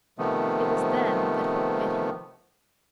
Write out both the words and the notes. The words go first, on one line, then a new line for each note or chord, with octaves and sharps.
It was then that Hook bit him.
C3 D#3 F3 A3 B3